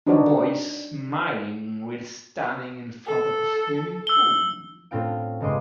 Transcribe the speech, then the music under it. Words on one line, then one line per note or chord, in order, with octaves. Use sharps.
A boy is smiling whilst standing in front of a swimming pool.
D4 D#4 F#4 B4 C#5 D5
A4
E6 G7
A2 C4 C#4 F4 G5 D7
G1 C#3 G#3 D#5 C6 D6